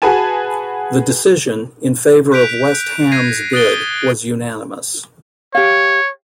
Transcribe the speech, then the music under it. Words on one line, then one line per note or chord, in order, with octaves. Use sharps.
The decision, in favour of West Ham's bid, was unanimous.
F#4 G#4 B4 G#5 A5
F#6 G6 B6 D7 F7
G#6 A#6 C7 D#7
D#6 F#6 A6 D7 G7
G4 C#5 F5